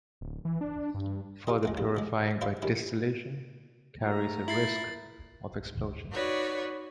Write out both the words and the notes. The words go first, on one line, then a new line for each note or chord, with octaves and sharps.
Further purifying by distillation carries a risk of explosion.
D1
E3
D4
G2
F4 G4 D#5
G#3 A3 C4
E2 G2
C#2 G#3
E4 F4 C5 D5 E5 A5
D#3 C#4 E4 G4
A3 F4 G4 A#5
E4 A6 C7 F#7
D#4 F#4 B4 C#5 D5